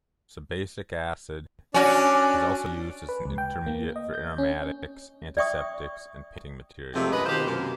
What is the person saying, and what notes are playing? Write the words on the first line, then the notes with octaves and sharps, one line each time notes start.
Sebacic acid is also used as an intermediate for aromatics, antiseptics, and painting materials.
C#4 D4 F#4 D5
B4
C#2
G5
A#3
D#5
G6
C#4
D5 E5 G5 C#6 D#6
C3 F3 G#3 A3 F4 G4
F#2 B4 D#5
B2 D#3 F4 G4 C5
F#2 C3 A#3 A#4